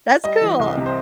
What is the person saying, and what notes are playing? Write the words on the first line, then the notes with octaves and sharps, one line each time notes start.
That's cool.
G3 D#5
E3
C2
C3
C5